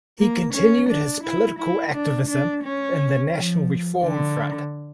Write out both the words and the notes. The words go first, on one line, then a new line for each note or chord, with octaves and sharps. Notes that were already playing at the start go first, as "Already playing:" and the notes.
He continued his political activism in the National Reform Front.
A#3
C#4
D4
E4
E4
D4
D4
C#4
F3
D3